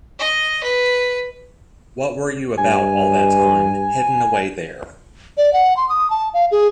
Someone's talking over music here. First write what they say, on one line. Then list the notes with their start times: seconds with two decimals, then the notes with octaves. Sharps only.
What were you about all that time, hidden away there?
0.19 D#5
0.64 B4
2.57 G2 G#5
5.37 D5
5.53 F#5
5.77 C6
5.89 D#6
6.10 A5
6.34 F5
6.51 G#4